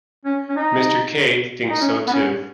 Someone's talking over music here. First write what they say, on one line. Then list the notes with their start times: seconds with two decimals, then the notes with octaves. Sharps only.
Mr. Kay thinks so too.
0.25 C#4
0.49 C#4
0.56 D#4
1.69 D#4
1.81 C#4
2.07 B3
2.12 C#4